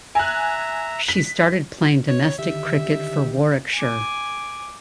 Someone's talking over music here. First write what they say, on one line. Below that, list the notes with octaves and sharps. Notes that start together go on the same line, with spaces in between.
She started playing domestic cricket for Warwickshire.
E5 G#5 A#5 F#6
B6
C#5
D3 D#3 G4 E5
G#5 D6